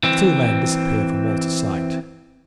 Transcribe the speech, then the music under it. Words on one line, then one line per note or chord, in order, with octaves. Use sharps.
The two men disappeared from Walter's sight.
E3 C4